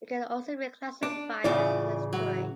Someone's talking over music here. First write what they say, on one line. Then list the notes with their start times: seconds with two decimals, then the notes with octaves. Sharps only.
It can also be classified as an estuary.
1.03 D4
1.44 A2 C#3 E3 F4 D5
2.13 F#3